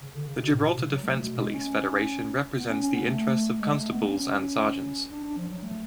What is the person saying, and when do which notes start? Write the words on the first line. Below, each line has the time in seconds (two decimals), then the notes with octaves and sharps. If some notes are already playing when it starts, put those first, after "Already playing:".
The Gibraltar Defence Police Federation represents the interests of constables and sergeants.
0.01 C#3
0.15 D3
0.27 C#3
0.40 B2
0.52 A2
0.65 B2
0.79 C#3
0.91 F#3
1.03 A3
1.21 B2
1.38 G#3
1.54 C#4
2.57 B3
2.69 C#4
2.82 C#4
2.95 B3
3.07 A3
3.59 G#3
3.75 A3
3.92 B3
4.10 C#4
5.11 D4
5.25 D4
5.37 F3
5.50 F#3
5.63 A3